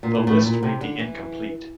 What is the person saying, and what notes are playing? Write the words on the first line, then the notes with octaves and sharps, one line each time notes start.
The list may be incomplete.
A#2
A#2
A2
A#2
C3
D3
E3